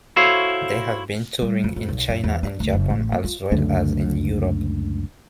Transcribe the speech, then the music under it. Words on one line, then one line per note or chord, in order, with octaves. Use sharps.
They have been touring in China and Japan as well as in Europe.
E4 F#4 A4 C5 C#5 F5
G3
F2
F2
B1
F#2
E2
D4
D2
F#1
A1
A#3
F4
C#2 F#2 D3 A3